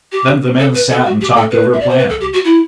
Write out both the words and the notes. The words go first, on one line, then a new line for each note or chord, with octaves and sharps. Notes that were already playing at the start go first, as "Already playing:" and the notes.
Then the men sat and talked over plans.
G4
A4
B4
A4
F#4
G4
A4
B4
E5
D5
C5
B4
A4
G4
F#4
E4